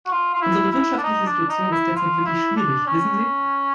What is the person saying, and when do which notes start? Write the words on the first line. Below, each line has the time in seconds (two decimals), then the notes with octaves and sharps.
Unsere wirtschaftliche Situation ist derzeit wirklich schwierig, wissen Sie.
0.06 F#4
0.12 F4
0.34 F4
0.42 E4
0.72 E4
0.98 D4
1.03 D#4
1.26 D4
1.49 D#4
1.72 E4
1.96 F4
2.26 E4
2.57 D4
2.87 C#4